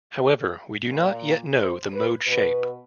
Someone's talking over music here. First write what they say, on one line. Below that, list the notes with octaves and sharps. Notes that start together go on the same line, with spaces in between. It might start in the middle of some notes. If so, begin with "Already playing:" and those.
However, we do not yet know the mode shape.
A#2
C5
B4
B2 B4